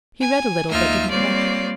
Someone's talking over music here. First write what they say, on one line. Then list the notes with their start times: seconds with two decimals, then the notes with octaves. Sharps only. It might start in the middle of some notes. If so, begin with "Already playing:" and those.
He read a little but didn't like it.
0.21 G#5
0.70 D#2 D#4 F4 E5 F6
1.10 G3 A#3 C4 F4 C#5 D5